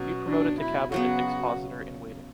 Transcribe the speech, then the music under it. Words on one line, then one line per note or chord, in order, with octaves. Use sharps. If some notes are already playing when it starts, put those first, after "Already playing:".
Be promoted to cabinet expositor-in-waiting.
Already playing: B2 F#3 C#4
D4
E4
C#3 F#3 B3 F#4